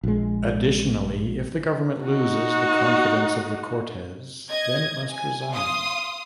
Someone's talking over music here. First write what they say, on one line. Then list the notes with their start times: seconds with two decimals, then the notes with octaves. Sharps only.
Additionally, if the Government loses the confidence of the Cortes, then it must resign.
0.03 A#1 G#3
2.06 D#4 F#4
4.49 D#5 G#6
5.12 G#5
5.54 F5 C6 D#6